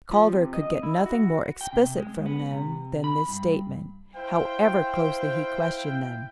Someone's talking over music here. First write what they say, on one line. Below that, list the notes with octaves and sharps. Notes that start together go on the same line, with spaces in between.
Calder could get nothing more explicit from them than this statement, however closely he questioned them.
F3
C3
D#5
E4
F#4
G5
C3
G#3
B3
C3
B5
G2
E4 C5 F5 G5